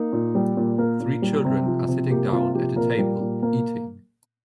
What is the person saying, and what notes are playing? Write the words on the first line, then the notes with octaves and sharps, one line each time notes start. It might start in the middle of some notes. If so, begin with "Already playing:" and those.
Three children are sitting down at a table eating.
Already playing: A#3 D#4
A#2
G3
A#2
A#3 A#4
A#2
G3
C3
F3
C3
A#3 G4
C3 F4
F3 G4
A#2 A#3 A#4
G3
A#2
A#3